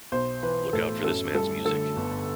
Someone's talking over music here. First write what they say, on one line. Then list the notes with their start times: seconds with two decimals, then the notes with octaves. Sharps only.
Look out for this man's music'.
0.12 B1 C5
0.43 E3 B4
0.73 A2 A4
1.03 F#2 A4
1.35 G3 A4
1.65 D3 A4
1.96 G1